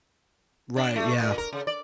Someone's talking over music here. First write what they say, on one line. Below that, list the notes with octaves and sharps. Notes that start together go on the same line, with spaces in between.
Right, yeah.
D4
A3
A#2
A#4
C#3
D5